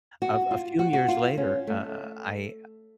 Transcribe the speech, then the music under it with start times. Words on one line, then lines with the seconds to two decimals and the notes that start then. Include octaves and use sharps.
a a few years later, uh, I
0.22 F#4
0.51 F4
0.79 F#4
0.93 F#4
1.08 F4
1.37 C#4
1.67 A3